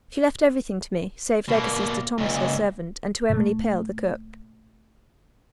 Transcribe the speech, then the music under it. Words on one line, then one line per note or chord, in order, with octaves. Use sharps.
She left everything to me, save legacies to Thomas her servant, and to Emily Pill, the cook.
B2 A#3
C#2 A#2
A#2 A3